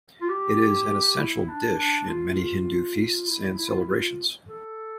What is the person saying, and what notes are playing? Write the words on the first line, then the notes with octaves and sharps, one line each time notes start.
It is an essential dish in many Hindu feasts and celebrations.
F4
G4
E4
D4
D4
F4
F4
E4
E4
F4
E4
F4
A4